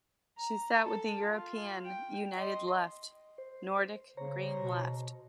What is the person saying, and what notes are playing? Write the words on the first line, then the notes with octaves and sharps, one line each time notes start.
She sat with the European United Left - Nordic Green Left.
A#5
A4 A5
F4
G5
D#5 C6
C5
C#3 C5 C#5 A#5
B2